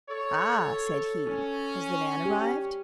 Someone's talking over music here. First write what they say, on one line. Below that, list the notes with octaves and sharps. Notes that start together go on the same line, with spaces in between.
"Ah!" said he, "has the van arrived?"
A4 C#5
C#4
G4